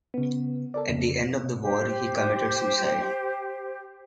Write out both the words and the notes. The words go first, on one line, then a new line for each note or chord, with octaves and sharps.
At the end of the war, he committed suicide.
C#3 B3
A4 A#4 D5
F2 C#3
G4 C5